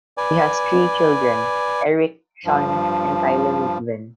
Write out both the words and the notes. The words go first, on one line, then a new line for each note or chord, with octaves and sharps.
He has three children, Erik, Sean and Tyler Ruthven.
B4 D5 G#5
G2 F3